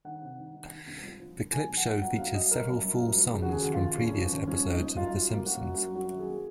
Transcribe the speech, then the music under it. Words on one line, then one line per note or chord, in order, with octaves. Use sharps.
The clip show features several full songs from previous episodes of "The Simpsons".
D#3 F#5
C3
D#3
D#3
D#3
C2
F3
F3
A#2
A#1 G#5
A#2
F#5
A#3
F#2 F#5
F#3 F5
F#2 D#5
F#3 A#4
F#2
F#2
F3
F3
C#3
F#4
D#2 G#4
D#2
F4
C#3
F1 C#4
F3
D#2
F3 C#4
F3
D#4
F3
F#2 F4
F#2
A#3
F#2 F#4
F#2
F#2
F#2 F#4
D#3
G#4
A#3